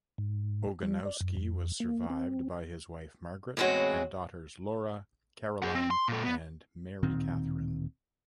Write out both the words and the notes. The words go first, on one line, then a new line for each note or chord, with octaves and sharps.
Ogonowski was survived by his wife Margaret and daughters Laura, Caroline, and Mary Catherine.
G#2
G3
D5
F#2
F2
A#3
C4
E2 A2 G#3 C4 F#4 C#5
G#4 F#5
C4
C6
A#2 A4
B3
D1 A#2 D#3 C4